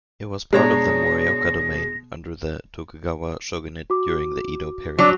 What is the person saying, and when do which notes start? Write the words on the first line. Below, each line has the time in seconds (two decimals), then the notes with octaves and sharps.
It was part of Morioka Domain under the Tokugawa shogunate during the Edo period.
0.53 B2 G#3 D4 C#5 A#5 A#6
3.90 F#4 D6
4.99 F#3 D4